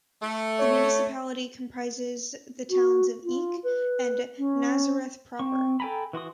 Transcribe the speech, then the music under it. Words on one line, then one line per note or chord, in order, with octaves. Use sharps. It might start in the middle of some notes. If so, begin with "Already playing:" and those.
The municipality comprises the towns of Eke and Nazareth proper.
A3
C#5
F#4
F4
B4
C#4
C4 C#6
A4 G5 G#5 A#5 B5
E3 F#4 C6 D#6